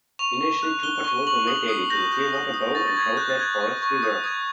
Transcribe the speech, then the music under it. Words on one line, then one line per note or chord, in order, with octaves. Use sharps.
Initially, two patrols were made daily, to the Clearwater, Bow and Crowsnest Forest Reserves.
C#6 F7
C#6
F#6
F#6 G7
C#6 G7
C#6 F#7
D#6 F#7
D#6 C7
G6 A#6
G6
D#6
D#6
C#6 A6
A6
C#6 G#6
F#6 G6
A6
F#6 G#6
C#6
C#6
D#6 G6
D#6 G#6